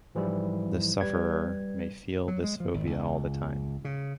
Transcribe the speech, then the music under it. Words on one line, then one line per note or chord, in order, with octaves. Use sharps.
The sufferer may feel this phobia all the time.
G#2 E3 F3 G3 E4
G3 B4 G#6
F#3
G#3
F3
G#1
C#2
C#3